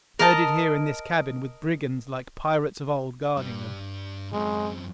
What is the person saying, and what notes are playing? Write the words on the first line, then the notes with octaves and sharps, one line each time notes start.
Herded here in this cabin, with brigands like pirates of old, guarding them.
A#4 D#5 A5
G2 G3
F#2 G#3 C4